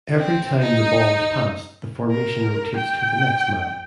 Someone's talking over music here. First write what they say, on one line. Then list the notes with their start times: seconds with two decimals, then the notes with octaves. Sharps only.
Every time the ball is passed the formation rotates to the next man.
0.18 C4
0.60 D#4
2.10 A#4
2.77 G5